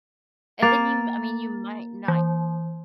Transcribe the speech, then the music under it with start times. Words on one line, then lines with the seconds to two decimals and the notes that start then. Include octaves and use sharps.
and then you m I mean, you might not
0.62 A#3 A6
2.08 E3